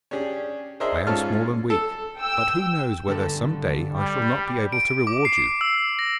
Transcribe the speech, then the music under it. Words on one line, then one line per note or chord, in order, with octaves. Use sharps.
I am small and weak, but who knows whether some day I shall not be able to reward you.'
C#4 D4 G4 G#4
D4 G#4 A#4 C5 D#5 E5
G#2 C#4 F4 A4 A5 F6
A4
G5 E6
G2 D3 A4
G3
D7
D6
C7
E6
A#6